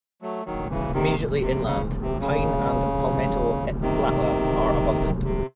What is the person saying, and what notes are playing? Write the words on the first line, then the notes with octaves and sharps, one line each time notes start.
Immediately inland, pine and palmetto flatlands are abundant.
F#3 A3
D#3 F#3
C#3 E3
C3 D#3
C3
C#3
C3
C#3
C3 D#3
C3